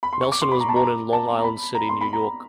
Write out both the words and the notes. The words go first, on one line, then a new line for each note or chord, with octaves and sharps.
Nelson was born in Long Island City, New York.
B5
C6
C#6
D6
C6
B5
A#5
A5
A#5
A5
A#5
B5
A#5
C6
B5
A#5
B5